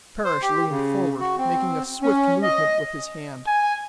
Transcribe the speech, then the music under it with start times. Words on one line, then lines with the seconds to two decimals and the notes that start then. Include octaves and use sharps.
Parrish leased forward, making a swift movement with his hand.
0.25 C5
0.42 G4
0.70 C#3
1.20 F#4
1.38 C4
2.02 C#4
2.43 D#5
3.47 G#5